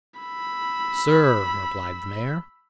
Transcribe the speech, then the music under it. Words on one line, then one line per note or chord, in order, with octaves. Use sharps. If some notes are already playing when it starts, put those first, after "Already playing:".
"Sir," replied the mayor.
B5 E6